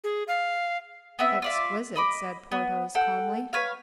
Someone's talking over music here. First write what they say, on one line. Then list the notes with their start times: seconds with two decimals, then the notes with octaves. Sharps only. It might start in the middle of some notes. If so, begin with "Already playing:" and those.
"Exquisite," said Porthos, calmly.
0.04 G#4
0.28 F5
1.19 B3 C4 E5
1.42 F4 D5 E5
1.96 D#5 B5 D6
2.51 B3
2.95 A4 F#5 G5
3.53 B4 C#5 F5